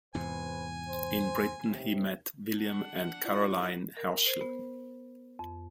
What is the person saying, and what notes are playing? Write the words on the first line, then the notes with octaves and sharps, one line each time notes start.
In Britain he met William and Caroline Herschel.
E2 G#2 C3 B4 C5 G#5
C5
D#2 C3
D4 F#5
E4 F4 D5
A#4
C5
B3
F2